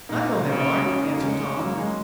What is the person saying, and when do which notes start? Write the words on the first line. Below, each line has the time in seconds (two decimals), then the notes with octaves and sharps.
"I know there aren't," answered Tom.
0.09 A#2 A#3 D#4
0.47 C#3
0.84 C#4 F#4
1.03 A#3 D#4
1.21 C#3 G#3 C#4
1.40 G#3 C#4
1.59 F#3 A#3
1.78 G#3